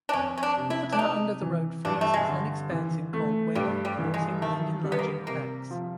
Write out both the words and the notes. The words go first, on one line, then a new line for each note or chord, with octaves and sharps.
Water under the road freezes and expands in cold weather, causing and enlarging cracks.
D4
F2 C#4
C#4
D4
C3
E4
D4
C3 D#4
E3
G2 D4
A3
G#3
D3
E3
A3
G2 G3
G3
E3
G#3
D#3 A3
G3
B3
A#3
C3 A#3
F3